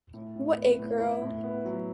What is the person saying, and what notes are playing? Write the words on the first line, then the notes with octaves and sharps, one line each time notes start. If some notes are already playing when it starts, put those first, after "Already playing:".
What a Girl!
A2
A2
B3
A2
E4
A2
B3
F#3